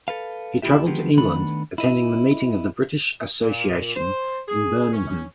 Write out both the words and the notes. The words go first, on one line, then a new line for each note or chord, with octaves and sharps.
He travelled to England, attending the meeting of the British Association in Birmingham.
A4 B4 F5
D#2 E3 E4 F4 G4 E5
D3 D#3 F3 G#3 B3 G4
D#3 A3 B3 D4 B5
E4 D#5
A#2
C5
G#4
C#4